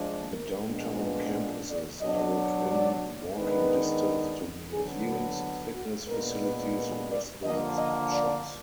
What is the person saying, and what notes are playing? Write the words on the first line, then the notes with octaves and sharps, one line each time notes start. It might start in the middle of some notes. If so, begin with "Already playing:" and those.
The downtown campuses are within walking distance to museums, fitness facilities, restaurants and shops.
Already playing: F3 G#3 D4
A#4
A#2 F3 G#3 B3 D4
B4
D5
B2 F#3 D4 D#5
D5
D#3 G#3 B3 D4 B4
D3 F#3 B3 G#4
F#4
F#4
A#2 G#3 B3 D4 A#4
B4
B4
D5
D3 F3 A#3 D#5
D#5
D5